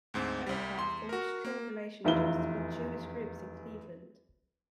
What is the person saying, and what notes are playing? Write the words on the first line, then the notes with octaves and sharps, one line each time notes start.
Oakar forged strong relationships with Jewish groups in Cleveland.
D2 G#2 C4
C2 G3
E2 C6
F#4 A#4
A#3
F1 E2 E4 F4 G7